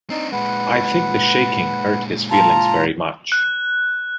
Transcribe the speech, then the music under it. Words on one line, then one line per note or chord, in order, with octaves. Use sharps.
I think the shaking hurt his feelings very much.
C4 D4 D#4
A#2 G#3 B4 F#5
F4 A5 A#5
F#6